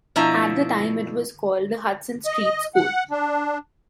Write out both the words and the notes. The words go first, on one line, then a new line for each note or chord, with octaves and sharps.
At the time it was called the Hudson Street School.
B2 F3 D4 E4 A#5
D#5
F#5
D4